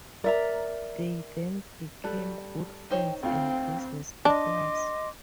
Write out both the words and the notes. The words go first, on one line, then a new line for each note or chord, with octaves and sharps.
They then became good friends and business partners.
A#4 D5 E5 A#5
G3 A4 F#6
D#4 C5 C#5 G5
D2 C4 F4 G5
D4 D#5 C6 D6